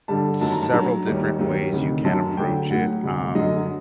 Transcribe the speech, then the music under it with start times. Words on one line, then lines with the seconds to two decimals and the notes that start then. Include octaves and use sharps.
several different ways you can approach it, um,
0.08 G2 D3 G3 A5
0.41 F#2 D#3 F#3 A5
0.52 A#5
0.63 A5
0.73 A2 F#3 A#5
1.07 D#2 D#3 G3
1.39 D#2 D#3 F#3
1.73 D2 C3 D#3
2.05 F#2 F#3 A5
2.37 D2 D3 F#3 G5
2.70 A2 F#3 F#5
3.03 D2 C3 G3
3.35 F#2 D3 F#3 D#5